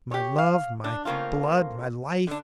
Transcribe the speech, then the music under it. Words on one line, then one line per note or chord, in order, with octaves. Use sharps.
My love, my blood, my life!
G4 C#5
F5
D4
C#3 A3 A#3 C4 F4
D3 D4